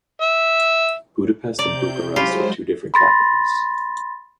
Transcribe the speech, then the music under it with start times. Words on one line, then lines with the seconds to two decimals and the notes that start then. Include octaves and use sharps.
Budapest and Bucharest are two different capitals.
0.21 E5
1.59 C3 D5 A#5 G6
2.16 F#3 G#3 C#4 E4 F4 G4 C5
2.94 B5 C6 A6 A#6